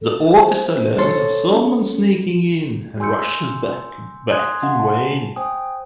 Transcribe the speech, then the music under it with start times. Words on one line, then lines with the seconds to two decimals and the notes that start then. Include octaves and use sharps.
The officer learns of someone sneaking in and rushes back but in vain.
0.02 A4
0.41 C5
0.98 A4 C#5 C6
1.51 C#4
3.00 G#5 C6 E6 G6 C#7
4.31 G#5 C6 D#6 F#6 G#6
4.62 D#5 F5 F#5 G#5 C6
4.79 G#5 A5
5.36 C5 G5 G#5 D#6